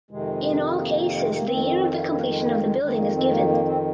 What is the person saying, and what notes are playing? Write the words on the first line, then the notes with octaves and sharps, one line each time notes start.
In all cases the year of the completion of the building is given.
F2 C3 D#3 G#3
A#3
G#3
A#3
F2 D#3 C4
A#3
G#3
A#3
G#3
F2 D#3 G#3
A#3
C4
A#3
A#3
C4